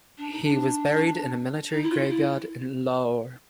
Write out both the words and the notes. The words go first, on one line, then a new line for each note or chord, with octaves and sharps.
He was buried in Military Graveyard in Lahore.
D4
D#4
D4
D#4
E4
F4
E4